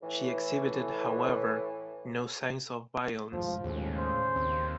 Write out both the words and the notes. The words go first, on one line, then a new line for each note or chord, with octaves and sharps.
She exhibited, however, no signs of violence.
A2 E3
F#1 A2 F3 G#3
D#2 A2 C#3 G#3 A3
C5
D#2 C4